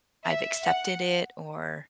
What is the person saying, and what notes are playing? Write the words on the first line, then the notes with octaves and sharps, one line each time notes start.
I've accepted it, or,
E5
F#5